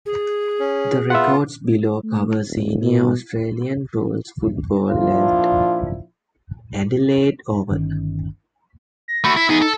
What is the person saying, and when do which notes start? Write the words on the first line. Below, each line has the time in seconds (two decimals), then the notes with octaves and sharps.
The records below cover senior Australian rules football at Adelaide Oval.
0.06 G#4
0.59 C#4
1.10 B3 F4 E5 F#5
2.03 A3
2.47 D#1
2.81 B2
4.90 A#2 F3 D4 E4 F4
7.70 G1 D#3 C#4
9.08 A#6
9.24 A3 F#4 B5
9.37 E4 B6
9.49 B3 D#4 G#4
9.62 A4